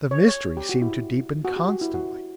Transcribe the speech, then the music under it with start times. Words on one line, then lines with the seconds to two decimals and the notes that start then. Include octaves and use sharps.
The mystery seemed to deepen constantly.
0.11 C#5
0.28 C#5
0.57 G4
0.69 F#4
0.82 E4
1.45 F#4
1.56 G4
1.69 F#4
1.81 E4
1.94 F#4